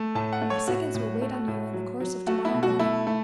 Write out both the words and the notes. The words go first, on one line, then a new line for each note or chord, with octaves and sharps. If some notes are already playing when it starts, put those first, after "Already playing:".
My seconds will wait on you in the course of to-morrow morning.
Already playing: A3
A2 A5
F#5
A3
C#5
A2 F#4
A2
A3
A2
F#3
F#3
A3 F#4
E4
B2
F#4
A3 E4
A3